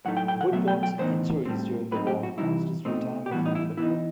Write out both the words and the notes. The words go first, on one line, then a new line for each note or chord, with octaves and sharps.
Woodward's injuries during the war caused his retirement from football.
A2 F#3 A3 D#4 F#5
G5
G5
F#5
B2 F#3 A3 E5
G5
G5
A2 E3 B3 D#4 C5
A2 G3 C4
A2 F#3 C4 D#4 B4
G4
F#4
C3 E3 G3 D#4 E4
B2 A3 C4 D#4
G4
A2 E3 G3 B3 F#4
D#4
E4
E3 B3 D#4 E4